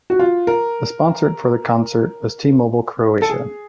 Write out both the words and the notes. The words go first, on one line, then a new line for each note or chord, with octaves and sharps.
The sponsor for the concert was T-mobile Croatia.
F#4
F4
A#4
A4
G#4